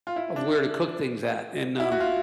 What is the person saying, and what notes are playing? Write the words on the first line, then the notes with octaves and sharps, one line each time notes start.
of where to cook things at, and, um,
F4
E4
D4
E4
F#4
F4